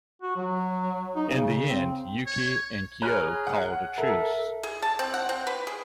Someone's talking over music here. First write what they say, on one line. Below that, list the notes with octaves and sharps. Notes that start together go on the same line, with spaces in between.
In the end, Yuki and Kyo called a truce.
F#4
F#3
D#4
C#3
C4
C#5
G#4 C#5 A#5 F6 F#6
F#5
A4 A#4 E5
G#4
A5
C4
F#5
C4
B4
G#4